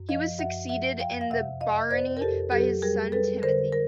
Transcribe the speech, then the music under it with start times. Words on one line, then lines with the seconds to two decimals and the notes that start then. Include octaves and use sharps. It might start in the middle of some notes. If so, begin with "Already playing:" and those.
He was succeeded in the barony by his son Timothy.
Already playing: F#2
0.09 F3 D#5 F5
0.39 F#2 E5 F#5
0.69 F3 E5 F#5
1.00 F2 F5 G5
1.21 F5
1.30 C3 E5 F#5
1.61 F2 D#5 F5
1.90 F2 C5 D5
2.17 A#4
2.21 F2 G4 A4
2.52 F#3 G4 A4
2.82 G3 G#4 A#4
3.12 G3 A4 B4
3.42 D3 A#4 C5
3.72 A#4